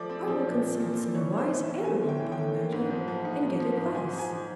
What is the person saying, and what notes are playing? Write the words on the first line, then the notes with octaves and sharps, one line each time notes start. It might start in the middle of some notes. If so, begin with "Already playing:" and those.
I will consult some wise animal upon the matter, and get advice.
Already playing: F3 A3 D5
C4
F3
A#2
A#2
A#2
A#2
E3 C#5
E3
C5
E3
E5
E2
A3 G#5
E2
G5
E3
G5
A3
A#3
G#2
F3
F3
G#2
G#2
F3
G#2
F3 G#5
F3
G#5
F3